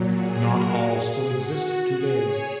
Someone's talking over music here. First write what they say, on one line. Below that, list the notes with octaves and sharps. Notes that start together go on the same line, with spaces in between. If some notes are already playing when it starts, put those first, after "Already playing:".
Not all still exist today.
Already playing: A#2 F#3
G#4
F#4 A#4
G#4
G#4
F#4
F#4
G#4
G#4 C#5